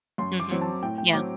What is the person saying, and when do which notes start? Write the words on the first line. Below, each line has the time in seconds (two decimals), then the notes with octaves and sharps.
Mhm. Yeah.
0.18 F#2 C6
0.40 D6
0.51 F#3 C4
0.61 A5
0.82 A2 G5
0.98 G5
1.13 F#3 C4 D6